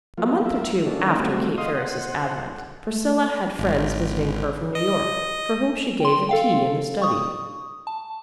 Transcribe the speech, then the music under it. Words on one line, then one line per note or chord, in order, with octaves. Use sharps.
A month or two after Kate Ferris's advent, Priscilla had friends visiting her from New York, for whom she gave a tea in the study.
F3 F#3 A#3 F4
F4 A#4 E5
D#3 A#3 C#4 D4 A4
G3 A3 C4 F#4
D#5 F5 C6 D#6
C5 F#5
A3
G#1
D#5
G5 C6
A4 F5 G5
C#6 D#6
A5